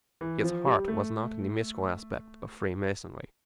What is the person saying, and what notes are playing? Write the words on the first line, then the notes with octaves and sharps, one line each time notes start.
His heart was not in the mystical aspect of Freemasonry.
E3
F3
G3
A3